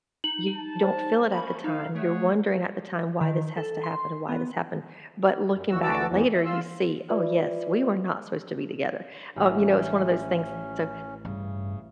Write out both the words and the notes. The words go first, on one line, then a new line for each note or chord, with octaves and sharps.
you don't feel it at the time, you're wondering at the time why this has to happen and why this happened, but looking back later, you see, "Oh, yes, we were not supposed to be together," um, you know, it's one of those things, so
D#4 F#7
A5
C5
A3 A#3 C#4 B5
D#4 E4 F5
A3 G#4 C#5 F#5
D#3
A4
C6
B3
F#2
D#2 E3 F#4 E6
D2 E3 F#4 A5 D6 E6
E2 G#2 E3
E5
F4 C6 E6
F4 B4 D5 E5
A1 C#4
G2 C#3